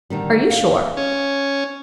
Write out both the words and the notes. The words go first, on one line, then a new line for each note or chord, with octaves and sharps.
"Are you sure?"
D3 D#3 G3
F5
C#4